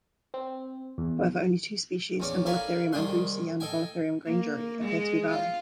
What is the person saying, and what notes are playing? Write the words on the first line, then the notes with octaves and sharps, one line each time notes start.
However, only two species, "Embolotherium andrewsi" and "Embolotherium grangeri", appear to be valid.
C4
E2
E2 C#4 D5
A4 A#4 D5 F5 G#5 B5
C2 D#3 D4 G#4 C6
A4 D#5 G5 G#5
A#3
G#3
F4